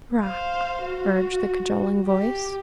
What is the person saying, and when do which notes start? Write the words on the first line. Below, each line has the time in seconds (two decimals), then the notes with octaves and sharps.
"Rock..." urged the cajoling voice.
0.23 C5 F5
0.83 F#4
2.06 G4